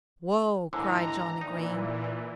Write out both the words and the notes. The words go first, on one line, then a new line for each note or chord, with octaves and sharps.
"Whoa!" cried Johnnie Green.
D#2 G#2 D3 E4 A#5
A#2 E3 D#4 D5